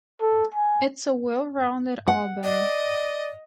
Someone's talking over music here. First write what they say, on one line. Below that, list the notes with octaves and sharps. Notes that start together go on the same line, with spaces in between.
It's a well-rounded album.
A4
G#5
F#5
D5 D#5